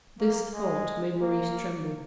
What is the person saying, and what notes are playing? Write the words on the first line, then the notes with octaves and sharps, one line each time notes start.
This thought made Maurice tremble.
A#3
G#3
A#3